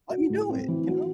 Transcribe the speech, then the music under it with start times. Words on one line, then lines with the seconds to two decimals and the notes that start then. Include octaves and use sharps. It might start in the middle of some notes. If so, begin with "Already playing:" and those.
"Let me do it, you know?"
0.10 F#4
0.30 A2
0.49 C4
0.68 E3
0.88 F#4